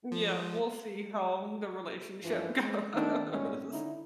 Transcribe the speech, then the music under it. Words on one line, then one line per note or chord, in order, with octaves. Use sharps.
Yeah, we'll see how the relationship goes.
F3
G2 E3 F3
G#3
D#3 A3 D4 D#4 G4
G#1 A#2 G3 G#3 C#4
D3 C#4 D#4 E4